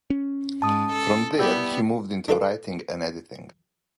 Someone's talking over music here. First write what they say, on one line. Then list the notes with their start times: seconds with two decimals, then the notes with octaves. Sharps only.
From there, he moved into writing and editing.
0.10 C#4
0.62 G#2 A5 D#6
0.93 A4
1.38 G3 B3 E4 G4
2.28 D4 E4 A4 B4 F5 D6